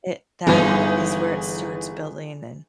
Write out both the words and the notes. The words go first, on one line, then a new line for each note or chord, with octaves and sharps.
it that is where it starts building, and
G1 E3 G#3 D#4